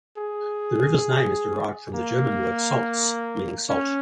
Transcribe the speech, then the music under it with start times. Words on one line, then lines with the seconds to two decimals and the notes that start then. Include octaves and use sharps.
The river's name is derived from the German word "Salz", meaning salt.
0.18 G#4
1.94 A#3
3.69 C#4